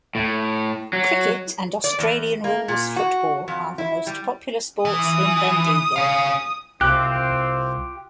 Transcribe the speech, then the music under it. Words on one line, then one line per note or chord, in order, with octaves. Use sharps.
Cricket and Australian rules football are the most popular sports in Bendigo.
A2
F#3
D5
E2
A#3
A#2
F#4
F2
E4
G3
E3 D#6
G#4 F5
C2 C4 F4 G4 F#6